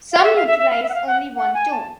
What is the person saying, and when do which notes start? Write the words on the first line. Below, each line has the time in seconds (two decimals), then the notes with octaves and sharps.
Some utilise only one tone.
0.12 F5
0.23 E5
0.36 F5
0.47 E5
0.59 E5
0.71 F5
0.83 E5
0.89 F#5
0.94 F5
1.07 F#5
1.36 F#5
1.54 G#5
1.71 A5